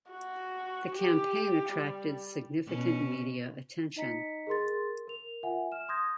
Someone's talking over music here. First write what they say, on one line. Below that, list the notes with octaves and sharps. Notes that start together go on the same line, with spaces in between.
The campaign attracted significant media attention.
F#4
G4
G3
B2 C#4
D#4 D#5 A#5 B6 C#7
G#4 A#4 C6 A6
A#4 F7
F4 E5 F#5 G#5
F6 E7
C6 D#6 G6 G#6 A#6